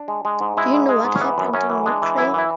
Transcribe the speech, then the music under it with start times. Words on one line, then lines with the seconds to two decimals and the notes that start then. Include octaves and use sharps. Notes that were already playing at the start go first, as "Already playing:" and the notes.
Do you know what happened in Ukraine?
Already playing: D4
0.08 G#3
0.25 G#3
0.41 G#2
0.57 G#3 E4
0.73 G#2
0.89 G#3 G#4
1.05 G#2
1.15 C#4
1.21 E3 B3
1.38 F#2
1.53 F#2 C#4
1.69 E3
1.86 G#3 D4
2.02 E3
2.18 F#2 E4
2.34 E3 E4